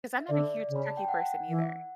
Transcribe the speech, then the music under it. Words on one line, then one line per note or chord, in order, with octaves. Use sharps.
'Cause I'm not a huge turkey person either.
E5
D3 D5
C#3
B5
A5
G5
F#5
E3